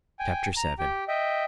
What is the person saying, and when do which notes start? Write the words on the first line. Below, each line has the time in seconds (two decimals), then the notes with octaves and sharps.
Chapter VII.
0.19 G5 G#5
0.57 A#5
0.79 G4 G5
1.08 D#5 E5 G5